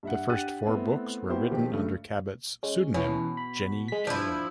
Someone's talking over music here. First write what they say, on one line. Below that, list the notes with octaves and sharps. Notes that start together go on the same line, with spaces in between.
The first four books were written under Cabot's pseudonym, Jenny Carroll.
G2 E5 F#5
D4 G4 F#5 F#6 A6 D#7
A3 B3 C4 E4
A#3 B3 E4 F#4 G4 C5
A#2 D#3 F3 G#3 C4 G4
G2 C#3 A3
G#3 C#4
B2 E3 C#4
B5
G#3 B6
F3 D4 E4